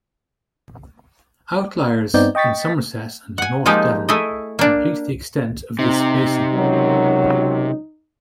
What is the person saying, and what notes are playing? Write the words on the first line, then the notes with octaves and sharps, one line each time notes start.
Outliers in Somerset and north Devon complete the extent of this basin.
G2 B3 C4 D#4 D5 G6
D#5 G5 C#6 A6 B6
F#5 G#5
F3 G#3 A#3 D#4 G4
A3 E4 G#4 D#5
A#3 D4
C3 D#4
C#2 D#3 F#3